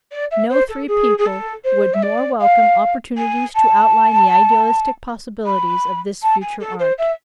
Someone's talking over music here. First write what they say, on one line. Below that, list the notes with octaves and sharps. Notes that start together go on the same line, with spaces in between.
No three people would more welcome opportunities to outline the idealistic possibilities of this future art.
D5
E5
C5
A4
G#4
G#4
A4
C5
E5
D5
F5
G#5
A5
B5
A5
G#5
A4
C5
E5